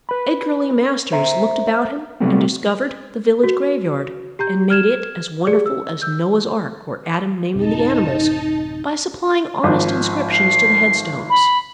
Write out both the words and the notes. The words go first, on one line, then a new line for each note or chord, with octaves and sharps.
Edgar Lee Masters looked about him and discovered the village graveyard, and made it as wonderful as Noah's Ark, or Adam naming the animals, by supplying honest inscriptions to the headstones.
B4 B5
C5 E5 A#5
C3 F#3 G3 A3 B3 C4
F#4
G4 A#5 G6
F6 G#6 E7
G4 G#4 D5
E6
E6 G6
A1 F#2 C3 D#4 A5
G#1 F3
C7
B5